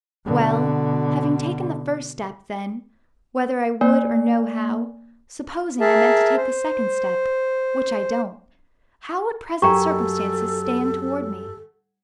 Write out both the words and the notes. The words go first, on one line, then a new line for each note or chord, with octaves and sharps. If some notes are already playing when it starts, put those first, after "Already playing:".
Well, having taken the first step, then, whether I would or no, how--supposing I meant to take the second step, which I don't--how would present circumstances stand toward me?
B2 D3
A#3 D5 G#5
G#4 A#4 E5 A5
C5
F#2 G4 A4 G5 G#5 A#5 C#6